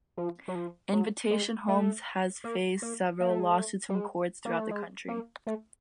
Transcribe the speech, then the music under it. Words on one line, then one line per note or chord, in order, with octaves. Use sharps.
Invitation Homes has faced several lawsuits from courts throughout the country.
F3
F#3
F3
F#3
G#3
A3
A#3
A#3
A#3
A3
G#3
A3
G3
G#3
A#3
A3
G#3
A#3
A3